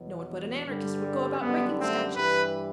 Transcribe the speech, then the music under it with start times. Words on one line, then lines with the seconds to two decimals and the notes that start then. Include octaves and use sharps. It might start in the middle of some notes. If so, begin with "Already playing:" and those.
No one but an anarchist would go about breaking statues.
Already playing: E2 B2 F#3
0.65 G2 D3 G3
1.40 F#2 D3 G3 B3
1.78 A3 C4
2.15 G2 E3 G3 G4 B4